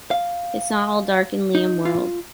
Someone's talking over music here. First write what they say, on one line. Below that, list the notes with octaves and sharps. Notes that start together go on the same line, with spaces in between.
It's not all dark in Liam World.
F5
D#4
F4